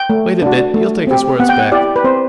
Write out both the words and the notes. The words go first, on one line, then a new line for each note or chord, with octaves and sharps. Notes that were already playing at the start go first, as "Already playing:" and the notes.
Wait a bit, he'll take his words back.
Already playing: G5
A3
D4 F#4
A3
C4 G4
B3 F#5
G5
F#5
E4 G4 D5
B4
C4 C5